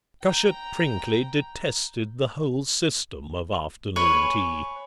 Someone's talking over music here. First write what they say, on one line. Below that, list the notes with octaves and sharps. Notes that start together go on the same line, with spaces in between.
Cushat-Prinkly detested the whole system of afternoon tea.
G5 A#5
B4 C#5 G#5